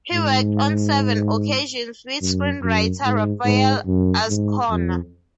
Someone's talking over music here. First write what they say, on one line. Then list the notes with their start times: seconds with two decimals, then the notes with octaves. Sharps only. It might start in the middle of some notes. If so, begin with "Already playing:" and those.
He worked on seven occasions with screenwriter Rafael Azcona.
0.14 G#2
2.21 F#2
2.63 F#2
3.04 G#2
3.45 G#2
3.87 F#2
4.28 G#2
4.70 F2